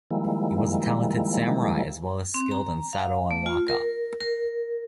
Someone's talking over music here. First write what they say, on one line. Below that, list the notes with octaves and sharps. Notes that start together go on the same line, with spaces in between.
He was a talented samurai as well as skilled in sado and waka.
D#3 F3 G3 G#3 A#3 E4
C4
A#5
F5
A3
F4
A#4
A#4